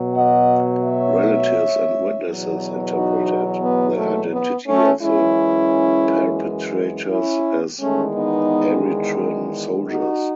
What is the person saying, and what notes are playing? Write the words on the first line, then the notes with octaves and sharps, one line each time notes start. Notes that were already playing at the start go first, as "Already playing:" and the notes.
Relatives and witnesses interpreted the identity of the perpetrators as Eritrean soldiers.
Already playing: B2 F#3
D#5 F#5
C#5 E5
E2 B2 F#3
D#4 F#4
B3
A3
B3
A3 C#4
F#2 E3 G#3 C#4 E4
C#4 E4
E2 D#3 G#3 A3 C#4
B3 D#4
D#4 F#4